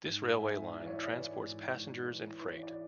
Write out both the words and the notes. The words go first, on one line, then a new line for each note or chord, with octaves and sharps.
This railway line transports passengers and freight.
G#2
G#2 E5 G#5
E3 E5
D5
C#5 E5
E3 B4 D5
G#2
G#2
E3
E3 B4
C#5
D5